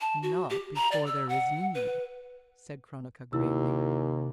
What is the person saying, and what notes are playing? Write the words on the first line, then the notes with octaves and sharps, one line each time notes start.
"And not before there is need," said Cronaca, gravely.
A5
F#4
G4
A#5
D5
E6
F#5
B4
D#2 C3 E4 E6